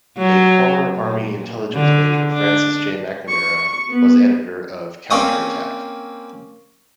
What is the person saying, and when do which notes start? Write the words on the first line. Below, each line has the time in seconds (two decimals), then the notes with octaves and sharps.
A former Army intelligence major, Francis J. McNamara, was the editor of "Counterattack".
0.18 F#3
0.98 A#2
1.75 D3
2.33 D4
3.29 C#6
3.89 B3
5.11 A#3 C4 C#4 C#6 D#6